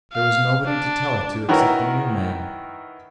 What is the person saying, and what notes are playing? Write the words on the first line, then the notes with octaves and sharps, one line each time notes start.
There was nobody to tell it to except the new man.
F5
D4
D#3 E3 E4 F#4 A#4 C#5